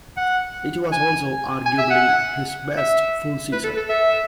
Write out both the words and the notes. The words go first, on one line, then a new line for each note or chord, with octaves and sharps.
It was also, arguably, his best full season.
F#5
G#5
G#5
E5
F#5
E5
B4
A4
A4
E5